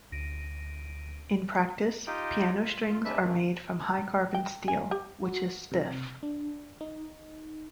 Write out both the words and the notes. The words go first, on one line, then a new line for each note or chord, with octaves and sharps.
In practice, piano strings are made from high-carbon steel, which is stiff.
D2 A#6 D7 D#7
D#4 F4 G4 D#5 G5
F4
F4
C3 G#3 D4 B4 E5
F#2 F3 A3 A#3
G5
G#5
G4
F#4
C3
D4
D#4